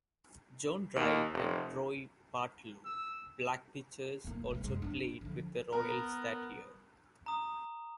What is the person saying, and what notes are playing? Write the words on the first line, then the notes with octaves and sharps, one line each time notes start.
John Wright and Roy Partlow, black pitchers, also played with the Royals that year.
D#2
F1
E6
E1 A#3
C3 G3
F#2 G#3
D4 F4
D3 F3
B3 A#4 A#5
A#5 D#6